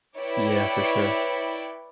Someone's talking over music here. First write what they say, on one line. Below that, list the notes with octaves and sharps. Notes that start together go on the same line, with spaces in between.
Yeah, for sure.
E4 B4 C#5 D5 G5